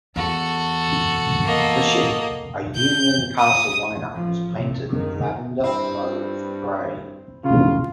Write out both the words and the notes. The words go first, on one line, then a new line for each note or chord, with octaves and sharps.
The ship, a Union-Castle liner, was painted lavender mauve grey.
E2 F#4 A4
A#3 D#5
G6
D#6
A1 F3
C3
F#1 D#3
G2 C4 E4
F#2 C#3 F4